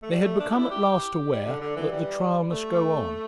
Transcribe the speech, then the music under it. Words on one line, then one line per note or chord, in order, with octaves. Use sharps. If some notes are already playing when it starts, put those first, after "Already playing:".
They had become at last aware that the trial must go on.
A3
G3
A3
D4
G4
E4
G4
G3
D3
D3
E3
G3
A3